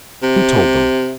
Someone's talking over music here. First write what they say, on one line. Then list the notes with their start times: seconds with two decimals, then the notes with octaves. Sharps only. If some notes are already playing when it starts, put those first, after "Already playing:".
"Who told them?"
0.23 C3